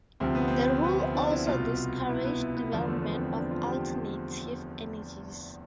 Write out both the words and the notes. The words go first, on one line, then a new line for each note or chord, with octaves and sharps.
The rule also discouraged development of alternative energies.
D2 C3 F3 C4
B3
C4
B3
C4
D4
E4
C2 B2 F4
E4
B3
B3
B3
E2 D3 F3
A3
B3
C4
B3
D4
F4
G4